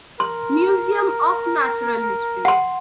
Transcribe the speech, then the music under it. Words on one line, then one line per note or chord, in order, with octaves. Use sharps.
Museum of Natural History.
A#4 C6
F#5 C6